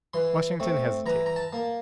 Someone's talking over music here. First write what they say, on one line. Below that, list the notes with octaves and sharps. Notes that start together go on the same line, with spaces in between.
Washington hesitated.
E3 C6
A3 C4
E3 A#5
A#5
A5
A#3